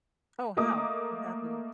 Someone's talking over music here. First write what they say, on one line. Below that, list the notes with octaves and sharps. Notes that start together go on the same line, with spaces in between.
Oh, how? What happened?
A3 A#3 D#5 D6 D#6